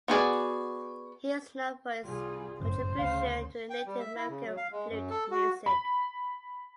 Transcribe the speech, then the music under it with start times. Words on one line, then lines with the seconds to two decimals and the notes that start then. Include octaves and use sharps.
He is known for his contribution to the Native American flute music.
0.08 B3 F#4 G#4 D5
2.03 C2 G3 F4 G#4
2.60 G1 F#2 A2 C#3 C5
2.98 D2 C#3 F5
3.70 G5
3.86 G3
3.99 E5
4.16 E4
4.29 C#3
4.45 F#3
4.57 F5
4.72 G#3
4.90 F#2
5.10 A4
5.31 F#4
5.66 B5